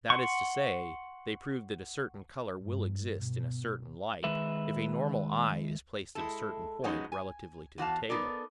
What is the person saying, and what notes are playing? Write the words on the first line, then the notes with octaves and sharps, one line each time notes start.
That is to say, they proved that a certain colour will exist, in a certain light, if a normal eye is placed at a certain point relatively to the table.
F#5 C6 C#6
G2
B2
D#3 G#3 B4 E5
G#3 E4 A4
F3 F#3 G#3 B3 C#4 D#4
G#5
E2 F#4 F5 A5
B3 D#4 A4 A#4 D5